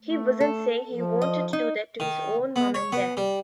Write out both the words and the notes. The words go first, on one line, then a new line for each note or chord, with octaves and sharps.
He wasn't saying he wanted to do that to his own mom and dad.
A3
A4
F3
D#5
D#4
D#3
B3
C#5
B3
G3